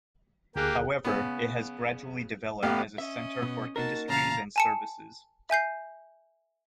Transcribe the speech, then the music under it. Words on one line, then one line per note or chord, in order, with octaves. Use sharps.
However, it has gradually developed as a centre for industries and services.
D2 A#3 G4 G#4 F#6
C#3 B3
A1 B3 G4 F5
C#4 D#5 E5
B2 B3
A#3 D#4 F#4 A#4 A5
E2 A#2 C#3 F5 A5 A#5
G#5 A5 C#7
E5 G#5 G6 C7